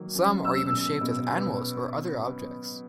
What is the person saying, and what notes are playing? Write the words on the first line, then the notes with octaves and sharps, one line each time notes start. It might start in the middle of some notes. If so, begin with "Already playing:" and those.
Some are even shaped as animals or other objects.
Already playing: D#3 F#3 A#3
C#4
G#3 E6
B2
B2
B3